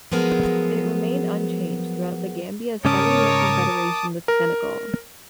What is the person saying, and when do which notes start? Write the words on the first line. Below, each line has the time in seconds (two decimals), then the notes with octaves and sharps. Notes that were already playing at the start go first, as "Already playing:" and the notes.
It remained unchanged throughout the Gambia's seven-year confederation with Senegal.
0.11 F3 F#3 G#3 B3 G#4 A#4
2.85 G#2 C#3 C#4 A#4 C#5 A5 D6 D#6
4.28 A#4